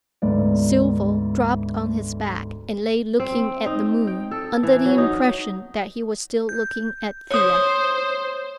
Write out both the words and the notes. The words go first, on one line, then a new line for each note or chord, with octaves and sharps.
Silvo dropped on his back and lay looking at the moon, under the impression that he was still looking at Thea.
D2 G#2 B3 D5
C4
D#4
G5
A4
E3
F#3
D#4
G6
C5 C#5 D#6